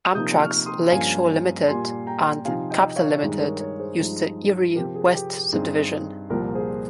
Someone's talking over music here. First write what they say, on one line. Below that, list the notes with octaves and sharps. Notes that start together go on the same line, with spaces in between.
Amtrak's "Lake Shore Limited" and "Capitol Limited" use the Erie West Subdivision.
C3 F3 A#3 D#4 D#6 G6
C#6 F6
C6 D#6
G2 F3 A#3 C#4 F5 G#5
A#2 G3 A#3 G#5 C6
G5 A#5
C3 F3 C4 D#4 F5 G#5
D#5 G5
C#5 F5
G2 D#3 G#3 D#4
A#4 C#5
A#4 C#5
G#4 C5
G2 F3 G#3 D#4
C3 F3 C4 G4 A#4
G#4
G4
G#4
G2 G3 C4 D#4 G#4
C2 A#2 F3 G4 A#4
G#4 C5